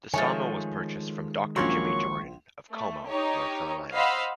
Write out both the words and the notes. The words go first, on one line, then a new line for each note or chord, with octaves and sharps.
The sawmill was purchased from Doctor Jimmy Jordan of Como, North Carolina.
D#3 F3 G#3 A3 C#5 G#5 A6
A#1 F3 F#3 A#3 C#4 C6 C#6
A3
D#4 G4 C#5
C5 D#5 F5 F#5 B5 E6